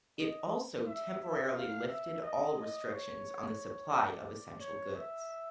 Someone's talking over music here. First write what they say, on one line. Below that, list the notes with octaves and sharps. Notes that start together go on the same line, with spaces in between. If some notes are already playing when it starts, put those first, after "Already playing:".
It also temporarily lifted all restrictions on the supply of essential goods.
D#5
E5
E5
F5
E5
D#5
D#5
C#5
D5
C#5
E5